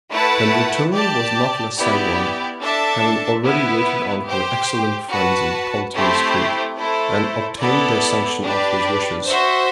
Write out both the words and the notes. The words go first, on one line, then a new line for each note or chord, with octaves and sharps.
General Tilney was not less sanguine, having already waited on her excellent friends in Pulteney Street, and obtained their sanction of his wishes.
A3 E4 B4 F#5 A5
G4 D5 A5
B3 E4 G4 D5
D4 A4 E5 A5
B3 E4 B4
G4 C5 G5
F#4 B4 F#5 A5
A3 C4 E4 G4 C5
A3 E4 A4 C5
B3 E4 A4 D5
D4 G4 B4 D5
F#4 C5 E5